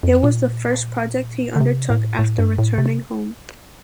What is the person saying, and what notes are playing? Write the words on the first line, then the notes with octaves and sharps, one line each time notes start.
It was the first project he undertook after returning home.
F2
A#2
D3
C3
A2
A2
G2
A2
C3